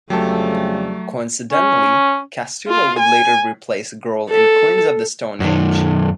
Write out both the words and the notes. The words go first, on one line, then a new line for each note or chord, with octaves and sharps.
Coincidentally, Castillo would later replace Grohl in Queens of the Stone Age.
F2 C#3 F#3 G3 A3 G4 A4
C#4
F4
G#5
A4
F#2 D#3